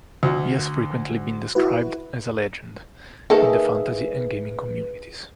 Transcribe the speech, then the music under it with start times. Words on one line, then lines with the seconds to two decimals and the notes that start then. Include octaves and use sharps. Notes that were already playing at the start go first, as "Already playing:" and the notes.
He has frequently been described as a legend in the fantasy and gaming communities.
0.23 D2
1.55 E4 F#4 B4
3.30 D#3 A#3 G#4 A4 B4 E5